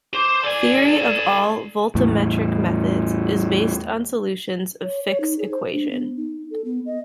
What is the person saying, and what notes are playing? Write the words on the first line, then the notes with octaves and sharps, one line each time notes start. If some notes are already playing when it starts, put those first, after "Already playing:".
Theory of all voltammetric methods is based on solutions of Fick's equation.
C5 D6
A4 D5 G#5
E2 A2
C#5
C#5
D#4
G#4
C5
D4
B3
D#4
A4
B3
D#5